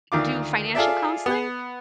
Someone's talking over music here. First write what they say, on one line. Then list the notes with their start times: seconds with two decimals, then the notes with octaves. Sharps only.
do financial counseling,
0.12 D2 D#3 F4 D6
0.75 F4 G#4 A4 D5 E5
1.26 B3